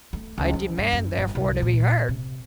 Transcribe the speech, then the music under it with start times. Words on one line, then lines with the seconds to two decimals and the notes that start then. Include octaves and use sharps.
I demand therefore to be heard.
0.13 A3
0.38 C#2
0.53 F3
0.78 G2
0.93 F#2
1.18 G1
1.35 C2
1.62 A#2
2.09 C3